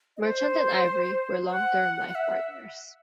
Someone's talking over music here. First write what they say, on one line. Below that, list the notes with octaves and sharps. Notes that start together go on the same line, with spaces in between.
Merchant and Ivory were long-term life partners.
D#5
C5
F#5
F#5
E5